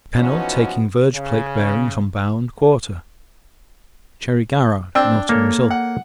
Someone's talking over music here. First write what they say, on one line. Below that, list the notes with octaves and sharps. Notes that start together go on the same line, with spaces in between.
Pennell taking verge plate bearings on bow and quarter. Cherry-Garrard noting results.
E3 F3 B3 C#4 D#4 F#4
C#3
C4 D4 G5 E6
A#3 A4 C#5
F#5